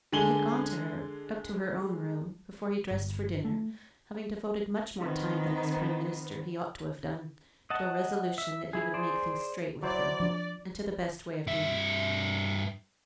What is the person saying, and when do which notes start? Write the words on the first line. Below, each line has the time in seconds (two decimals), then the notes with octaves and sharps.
He had gone to her, up to her own room, before he dressed for dinner, having devoted much more time than as Prime Minister he ought to have done to a resolution that he would make things straight with her, and to the best way of doing it.
0.12 D3 G#3 G#5 F#7 G7
2.91 G1
3.45 A3
4.99 D#3 B3 C4
7.70 D#5 F#5 A5
8.38 E5
8.73 E4 G#4
8.94 G#4 C5 D5
9.83 F#3 E4 C5 D5
10.20 F3 D4
11.47 G2 E5